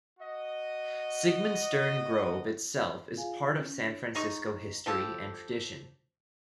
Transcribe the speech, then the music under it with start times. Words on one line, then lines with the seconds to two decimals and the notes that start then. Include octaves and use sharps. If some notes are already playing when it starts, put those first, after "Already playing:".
Sigmund Stern Grove itself is a part of San Francisco history and tradition.
0.20 F#4 D#5
3.17 F4 G#4 F5 G#5
3.61 C#4
3.83 D4 C#5
4.15 G#3 D#4 C#6
4.86 F3 G4 A4